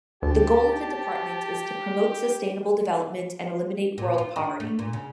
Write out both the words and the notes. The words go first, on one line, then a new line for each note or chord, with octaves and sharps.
The goal of the department is "to promote sustainable development and eliminate world poverty".
D2 G4 A5
A#2
F4
D4
A3
A#2
C#3